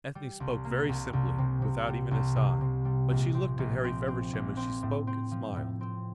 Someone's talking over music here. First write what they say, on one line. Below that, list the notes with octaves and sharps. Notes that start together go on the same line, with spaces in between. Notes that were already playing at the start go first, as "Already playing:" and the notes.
Ethne spoke very simply, without even a sigh, but she looked at Harry Feversham as she spoke and smiled.
G3
C2
A#3
C2
C2
C3
C3
G3
C2
C3
C3
G3
A#1
C4
A#1
C4
C4
A#1
C4
A2
C4
F3
A2
C4